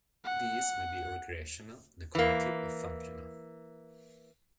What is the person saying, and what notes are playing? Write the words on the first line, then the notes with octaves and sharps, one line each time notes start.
These may be recreational, decorative, or functional.
F#5
E3 A#3